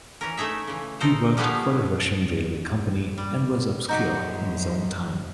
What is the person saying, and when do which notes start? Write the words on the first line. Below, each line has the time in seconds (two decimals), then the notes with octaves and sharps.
He worked for a Russian railway company and was obscure in his own time.
0.21 E3 C#4 A#4
0.37 A3 D#4 G#4 E5
0.68 C#3 E3
1.00 D#4 A4 A#4 C5
1.37 F3 G3 A3 B3 G#4 F5
3.18 G3
3.89 F#2 F3 D#4 F#4 G4 D#5 A#5 G6